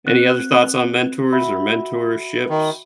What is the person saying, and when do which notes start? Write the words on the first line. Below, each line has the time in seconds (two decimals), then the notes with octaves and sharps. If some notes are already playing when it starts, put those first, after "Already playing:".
Any other thoughts on mentors or mentorships?
0.07 C4 F#6
1.33 F#4 E5 B5
2.49 D#3